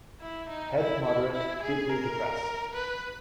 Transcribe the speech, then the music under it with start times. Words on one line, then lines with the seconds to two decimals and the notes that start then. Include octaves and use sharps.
Head moderate, feebly depressed.
0.21 E4
0.49 D#4
0.77 E4
1.05 E4
1.33 E4
1.62 G#4
1.89 A#4
2.74 B4